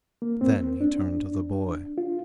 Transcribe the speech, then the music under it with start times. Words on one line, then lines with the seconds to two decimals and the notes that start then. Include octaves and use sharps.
Then he turned to the boy.
0.22 A#3
0.41 C4
0.81 D4
1.98 F4